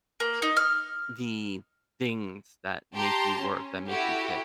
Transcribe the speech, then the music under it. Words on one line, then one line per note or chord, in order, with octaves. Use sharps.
the things that make you work, that make you tick,
A#3
D#4
F6
G4 A5 A#5 C6
C#4
E4 F#4 G4 A4